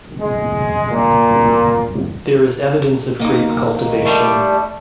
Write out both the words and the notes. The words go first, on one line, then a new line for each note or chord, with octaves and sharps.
There is evidence of grape cultivation.
G#3
A#2
D#3 A#3 D#4
G3 A3 D4